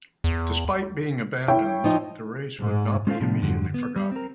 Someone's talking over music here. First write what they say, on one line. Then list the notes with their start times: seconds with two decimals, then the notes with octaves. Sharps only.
Despite being abandoned, the race would not be immediately forgotten.
0.24 E2
1.48 E4 C#5 G5
1.84 F3 D#4
2.60 G#2
3.07 G#3 C#4 F4 A4 C5 F5
3.20 A2 C3 F3 B3 D4
3.42 F2 G#2 D3 F#3 G3
3.74 B3
3.96 G3
4.12 C4 A#4